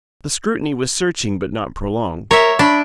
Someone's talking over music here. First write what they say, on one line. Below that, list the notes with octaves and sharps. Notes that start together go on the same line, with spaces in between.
The scrutiny was searching but not prolonged.
A#4 C#5 E5
D4 B5